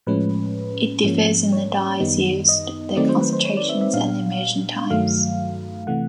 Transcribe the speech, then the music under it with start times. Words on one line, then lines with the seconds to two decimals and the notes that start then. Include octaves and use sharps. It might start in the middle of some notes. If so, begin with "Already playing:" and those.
It differs in the dyes used, their concentrations, and the immersion times.
0.07 A2 F3 G#3 C#4 B4
1.03 G#2 F3 A#3 C#4
1.52 C#5
2.00 F#2 D#3 G3 B3 D#4
2.49 D#5
2.96 D#3 F#3 A3 C4 D#4 D5
3.09 C5
3.21 B4
3.33 C5
3.45 C#5
3.57 D5
3.69 E5
3.81 E5
3.93 A#2 G3 B3 D4 F5
4.90 G2 D#3 F#3 A3 F5
5.87 C3 E3 A3 F#5